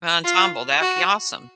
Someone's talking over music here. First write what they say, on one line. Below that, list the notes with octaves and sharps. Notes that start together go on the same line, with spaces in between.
an ensemble, that'd be awesome.
F4
F#4